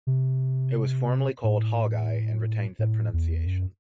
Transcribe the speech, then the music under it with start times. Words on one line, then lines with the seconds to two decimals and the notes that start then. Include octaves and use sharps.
It was formerly called "Hog-Eye" and retained that pronunciation.
0.07 C3
1.44 A2
2.79 A2
3.13 E2
3.47 F#2